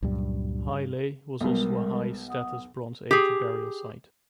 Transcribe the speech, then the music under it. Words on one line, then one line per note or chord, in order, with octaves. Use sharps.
High Legh was also a high-status Bronze Age burial site.
C#2 G2 A#2 F#3 G3
B1 B2 G3 G#3 A#4
F#5 D#6
G4 G#4